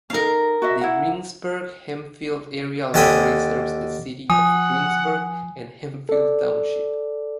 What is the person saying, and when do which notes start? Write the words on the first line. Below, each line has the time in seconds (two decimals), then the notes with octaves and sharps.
The Greensburg Hempfield Area Library serves the City of Greensburg and Hempfield Township.
0.10 C#4 D#4 A#4 F5
0.62 F#4 D#5 E5
0.81 E4 F#5
2.94 D#2 D3 G5 G#5 B5 D#6
4.30 F3 F#5 G#5 D#6
6.09 A4 D5